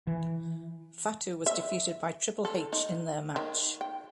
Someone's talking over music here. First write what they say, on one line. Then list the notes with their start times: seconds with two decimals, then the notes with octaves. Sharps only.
Fatu was defeated by Triple H in their match.
0.07 E3
1.46 E5
2.45 A4
2.73 D#4
3.36 D#3
3.81 G5